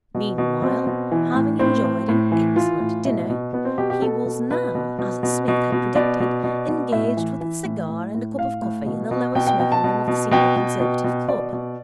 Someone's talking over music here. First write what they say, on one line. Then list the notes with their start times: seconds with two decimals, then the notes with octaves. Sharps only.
Meanwhile, having enjoyed an excellent dinner, he was now, as Psmith had predicted, engaged with a cigar and a cup of coffee in the lower smoking-room of the Senior Conservative Club.
0.15 B2
0.38 B2
0.62 B2 C4
0.87 B2
1.12 E3
1.35 A2
1.59 A2 C4
1.84 A2
2.09 A2
2.32 E3
2.56 E3 F4
2.80 A2
3.05 B2 E4
3.30 B2
3.53 B2 B3
3.65 C4
3.78 B2 G4
3.90 G4
4.02 B2 A4
4.26 B2
4.51 B2 B4
4.75 B2
4.99 B2
5.23 B2
5.48 B2
5.72 B2
5.95 B2 D5
6.20 B2
6.44 B2
6.68 B2
6.92 A2 E5
7.17 E3
7.41 E3
7.65 A2
7.89 A2
8.14 A2
8.37 A2 F5
8.62 A2
8.86 B2
9.11 B2
9.35 B2 G5
9.47 G5
9.60 B2 G5
9.72 A5
9.84 B2
10.08 B2
10.31 B2 G5
10.56 B2
10.80 B2
11.04 B2
11.28 B2 D5
11.53 B2